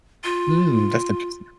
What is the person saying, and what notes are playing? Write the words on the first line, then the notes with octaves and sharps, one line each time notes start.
Hmm, that's interesting.
F4